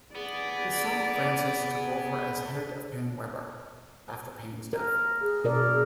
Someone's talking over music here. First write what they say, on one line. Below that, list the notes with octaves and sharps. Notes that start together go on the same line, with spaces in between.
His son, Francis took over as head of Paine Webber after Paine's death.
B3 G#4 D5
A#4
G#4
B2 A#4 D5